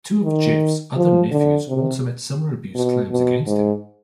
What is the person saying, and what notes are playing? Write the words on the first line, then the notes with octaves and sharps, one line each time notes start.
Two of Jeffs' other nephews also made similar abuse claims against him.
D#3
F3
D3
C3
B2
B2
G#2